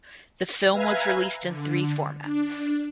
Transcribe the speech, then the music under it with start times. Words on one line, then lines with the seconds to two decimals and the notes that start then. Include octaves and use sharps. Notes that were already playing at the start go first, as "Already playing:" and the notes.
The film was released in three formats.
0.72 B4 E5 F5 G#5 A#5 G#6
1.43 D3
2.24 D4